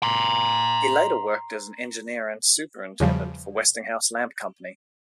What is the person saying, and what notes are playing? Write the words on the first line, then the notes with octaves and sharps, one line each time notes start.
He later worked as an engineer and superintendent for Westinghouse Lamp Company.
A#5 C6
E2 C#3 F3 G3